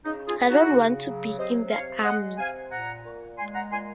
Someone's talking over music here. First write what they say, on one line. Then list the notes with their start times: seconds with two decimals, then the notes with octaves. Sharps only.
I don’t want to be in the army.
0.05 C#3 D#4
0.27 F4 G#4
0.38 C#3
0.49 D#4 F#4
0.72 C#3
1.04 F#3
1.38 C3 C5 D#5
1.71 C3 C#5 F5
2.05 G#3 D#5 F#5
2.38 C3 F5 G#5
2.71 A#2 F#5 A#5
3.05 A#2
3.38 G#3 G#5 C6
3.55 F#5 A#5
3.71 A#2 G#5 C6